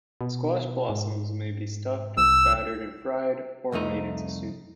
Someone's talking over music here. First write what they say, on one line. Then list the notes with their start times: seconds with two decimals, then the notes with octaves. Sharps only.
Squash blossoms may be stuffed, battered and fried, or made into soup.
0.21 B2
0.90 G#2
2.17 C2 E6
3.72 C2 F2 A3 D#4